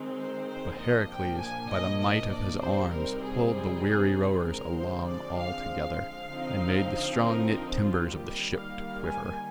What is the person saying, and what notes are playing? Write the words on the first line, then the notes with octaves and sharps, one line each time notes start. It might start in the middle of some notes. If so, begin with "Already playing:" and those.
But Heracles by the might of his arms pulled the weary rowers along all together, and made the strong-knit timbers of the ship to quiver.
Already playing: D#3 G#3 C4 D#4
C5
C5
A#2 F3 A#3 D4 D#5
G5
G#5
D#5
D#5
D5
C3 G3 C4 D#4 C5
A#4
G#4
D3 F3 G#3 C4 A#4
C5
D5
F5
F5
D3 F3 C4 D#4
A#4
D#4
F4
D#3 G3 A#3 G4
F5
G#5